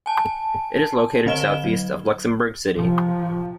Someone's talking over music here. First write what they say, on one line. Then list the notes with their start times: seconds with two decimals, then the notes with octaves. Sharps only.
It is located south-east of Luxembourg City.
0.06 G#5 A5
1.26 D3 C4 C5 D#5 E7 G7
1.64 F#3
2.76 C3 F3